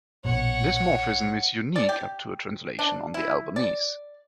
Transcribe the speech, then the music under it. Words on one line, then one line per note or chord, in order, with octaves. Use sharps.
This morphism is unique up to a translation on the Albanese.
A#1 B2 C#5 F#5
D5
G4
D4
E4
D5